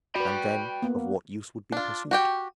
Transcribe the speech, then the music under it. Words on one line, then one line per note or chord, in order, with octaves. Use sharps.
And then of what use would be pursuit?
F#4 B4 G5 B5
A#3 B3
D4 F4
F#4 G4 G5